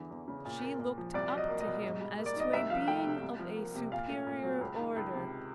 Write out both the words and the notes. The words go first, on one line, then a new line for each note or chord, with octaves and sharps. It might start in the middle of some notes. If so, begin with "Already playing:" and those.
She looked up to him as to a being of a superior order.
Already playing: E2 D3 E3
E2
C#3
A#2
A#3
A#2
F3
C2 D5
F#3
D#5
A#3
D#5
B2
G#2
G3
A#3
D5
D#3 D#5
C2 E5
F3 F5
A3 G5
C3
C2
F3
A#3
C3
A#2 F5
A3
A#2
F#3
C#2
D#3
C#2
C3